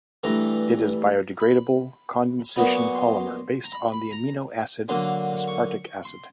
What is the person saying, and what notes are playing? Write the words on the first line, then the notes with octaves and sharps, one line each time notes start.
It is biodegradable condensation polymer based on the amino acid aspartic acid.
G2 E3 A3 A#5
B5
A#2 F#3 B3 D#4 B5
C#6
C6
A#5
B5
B5
A#5
D3 F#3 A#3 C6
C#6
C6